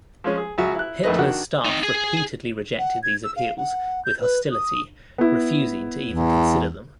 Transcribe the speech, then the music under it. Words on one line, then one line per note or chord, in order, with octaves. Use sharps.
Hitler's staff repeatedly rejected these appeals with hostility, refusing to even consider them.
F3 G#3 C#4
G#4
C#2 F#3 F#4 E5
E4 F#6
A#1 F2 D#3 A3 B4 D#5
D#3 D4 F#4 F#5 F#6
C4 D#4
G#4 G#5
F#5
G#6
E6
F5
F#5
G6
B4
D#6
B3 E4
E2